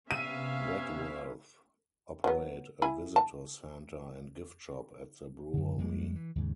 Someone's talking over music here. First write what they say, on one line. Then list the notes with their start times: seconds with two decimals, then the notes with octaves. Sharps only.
Wadworth operate a Visitor Centre and gift shop at the brewery.
0.11 C3 B3 C#4 E5 F5 D#7
2.24 F#3 B3
2.82 E4 G#5 B5
3.16 A5
5.54 F#2 D3
5.78 F2 G3 G#3 A#3
6.16 E3
6.36 D#2 G#2 C#3